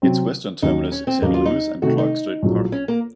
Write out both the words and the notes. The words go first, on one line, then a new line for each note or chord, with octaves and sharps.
Its western terminus is in Lewis and Clark State Park.
C3 F#3 C4
D#2 D#3 F#3 D#4
C#4
C4
D#2 C#3 F#3 A#3 D#4
F4
D#4
C3 D#3 A3 F#4
D#4
A#1 A2 F#3
C#4
A#3